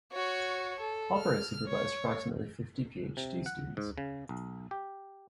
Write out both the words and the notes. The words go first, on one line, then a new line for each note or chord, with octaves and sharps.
Hopper has supervised approximately fifty PhD students.
F#4 C#5
A4
F6
C#5
C3
F#5
G#2
C#3
B1
G4